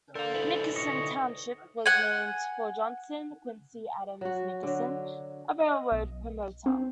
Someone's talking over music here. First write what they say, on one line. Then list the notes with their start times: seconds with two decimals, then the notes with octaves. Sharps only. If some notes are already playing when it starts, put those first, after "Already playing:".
Nickerson Township was named for John Quincy Adams Nickerson, a railroad promoter.
0.15 D3 A4 A#4 C5 F5
0.34 D2 D#4 E4 B4
0.76 C#5 D#5
1.86 F#5 G#5
4.21 F#3 F#4
4.63 D3 F#3
5.60 D#5
5.92 B1
6.66 C4